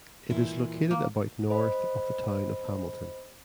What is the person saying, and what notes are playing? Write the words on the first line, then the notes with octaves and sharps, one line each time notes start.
It is located about north of the town of Hamilton.
A#2 E3 E4
A#3
C5 D#5 B5